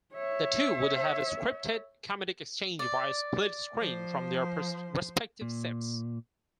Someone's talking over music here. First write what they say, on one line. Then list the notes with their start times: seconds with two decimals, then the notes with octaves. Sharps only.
The two would have a scripted comedic exchange via split-screen from their respective sets.
0.14 C#5 E5
2.79 D5
3.76 F3 C5
5.41 A#2